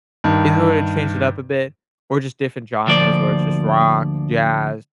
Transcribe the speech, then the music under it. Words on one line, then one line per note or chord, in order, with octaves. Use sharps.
in order to change it up a bit or just different genres where it's just rock, jazz,
G2 D#3
D2 F3 A#3 D5